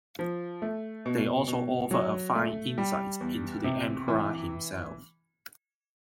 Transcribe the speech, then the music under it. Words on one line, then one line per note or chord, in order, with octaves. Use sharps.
They also offer a fine insight into the Emperor himself.
F3
A3
B2
B2
F#3
A3
G3
E2
C3
E3